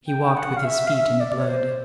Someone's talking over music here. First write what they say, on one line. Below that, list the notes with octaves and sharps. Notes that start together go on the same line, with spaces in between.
He walked with his feet in the blood.
G5
G5
F#5
F5
E5
F5
E5
D5
D5
C#5
C5